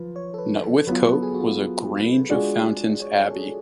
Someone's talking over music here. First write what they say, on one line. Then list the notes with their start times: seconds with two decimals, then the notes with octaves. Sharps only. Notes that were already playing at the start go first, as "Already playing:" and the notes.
Nutwith Cote was a grange of Fountains Abbey.
Already playing: F3 B4
0.16 C#5
0.34 A4
0.38 B4
0.63 A4
0.87 F#3 B3 F4 B4
1.05 A4
1.22 G#4
1.34 F#4
1.40 F4
2.29 G#3 D4 F4 F#4
2.66 G#4
3.02 C#5
3.19 C#5
3.30 A4
3.37 G#4